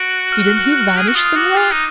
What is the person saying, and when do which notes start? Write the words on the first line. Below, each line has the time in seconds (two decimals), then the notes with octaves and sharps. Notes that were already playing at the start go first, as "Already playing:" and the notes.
"Didn't he vanish somewhere?"
Already playing: F#4 D7
0.32 F6
0.40 F#6
0.48 F6
0.57 F#6
0.65 F6
0.72 F#6
0.80 F6
0.90 F#6
0.97 G#4 F6
1.08 F#4
1.15 F4 D#6
1.26 D#6
1.36 F#4 D6
1.58 F4
1.72 D#4